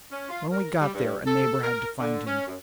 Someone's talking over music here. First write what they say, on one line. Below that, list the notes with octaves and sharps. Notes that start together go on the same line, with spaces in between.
When we got there, a neighbor had to find him.
C#4
F4
A#4
G3
G2
A4
A#4
D3
C#4
F#2